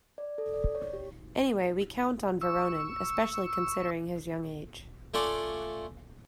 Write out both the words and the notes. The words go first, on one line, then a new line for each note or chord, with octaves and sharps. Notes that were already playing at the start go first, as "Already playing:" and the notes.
Anyway, we count on Voronin, especially considering his young age.
D5
A4
D5
C#5
G4
C#6 E6
A3 C#4 F4 D5